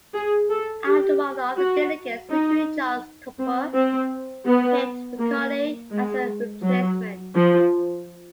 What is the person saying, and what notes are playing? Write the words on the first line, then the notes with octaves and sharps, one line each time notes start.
After one of the other delegates withdrew Charles Tupper picked McCully as a replacement.
G#4
A4
G4
F#4
D#4
C4
C4
B3
A#3
G#3
F#3
F3